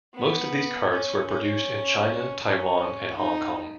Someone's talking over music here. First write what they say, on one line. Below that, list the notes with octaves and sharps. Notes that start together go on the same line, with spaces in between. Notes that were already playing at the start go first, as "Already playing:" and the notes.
Most of these carts were produced in China, Taiwan and Hong Kong.
B3
C#4
C#4
C#4
D#4